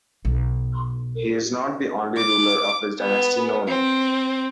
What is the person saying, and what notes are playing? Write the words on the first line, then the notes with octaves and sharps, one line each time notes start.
He is not the only ruler of his dynasty known.
B1
D6
B3
C4